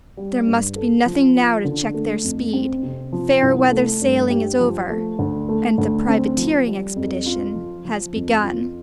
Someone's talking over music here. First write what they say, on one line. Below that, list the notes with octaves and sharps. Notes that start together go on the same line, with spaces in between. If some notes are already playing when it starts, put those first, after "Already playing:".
There must be nothing now to check their speed; fair-weather sailing is over, and the privateering expedition has begun.
G3
G2
A4
F3
F4
D3
A3
F2
C4
C3
F3
C2
A3
G2
G4
F3
A3
D2
A3
D2
C4
F3
G3
F2
F4
F3
F3
F2
F4